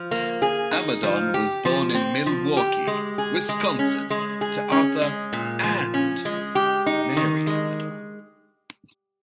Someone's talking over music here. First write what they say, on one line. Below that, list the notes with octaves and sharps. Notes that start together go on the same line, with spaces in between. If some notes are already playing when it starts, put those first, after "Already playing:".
Amadon was born in Milwaukee, Wisconsin to Arthur and Mary Amadon.
Already playing: F3
A#3
G#4
D#4
F3
G4
F3
C4
F3
G4
G#3
G#4
G#3
C#4
G#3
G#4
C#4
G#3
A#2
F3
C#4
G#3
G4
D#4
D#3
G#3